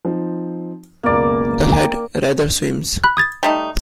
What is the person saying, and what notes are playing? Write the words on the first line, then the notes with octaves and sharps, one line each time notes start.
The head rather swims.
F3 C4 D#4
C#2 F#2 B2 A#3 D5
G5 A#5 D6
B5 F#6
D#6 G#6 A6
G3 A3 D#4